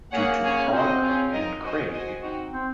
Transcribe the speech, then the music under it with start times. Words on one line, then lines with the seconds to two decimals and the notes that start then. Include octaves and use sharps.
Due to Hogg and Craig.
0.12 A#3 C#4 G#4 C#5 F#5
0.43 C#4 G#4 C#5 G#5
0.68 C#4
0.72 C4 F#4 C5 D#5
1.03 C#4 F4 G#4
1.33 D#4 A#4 D#5
1.63 F#4 C5 D#5 G#5
1.93 F#4 C5 D#5 G#5
2.23 C4 D#4 F#4
2.53 C4